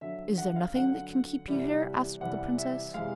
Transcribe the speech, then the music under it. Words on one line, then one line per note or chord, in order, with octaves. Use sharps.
'Is there nothing that can keep you here?' asked the princess.
D3 F#3 E5
F#5
F5
D3 F#3 F#5
C3 E3 G3
C3 E3 G3 F#5
E5
C3 E3 G#3 F5